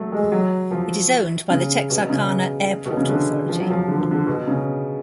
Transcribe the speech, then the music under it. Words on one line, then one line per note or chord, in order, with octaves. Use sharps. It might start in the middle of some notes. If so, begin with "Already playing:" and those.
It is owned by the Texarkana Airport Authority.
Already playing: F#3 A3
G#3
F#3
F3
C#3
B2
C#3
B2
C#3
D3
F3
F#3
F3
D3
F3
D3
B2
C#3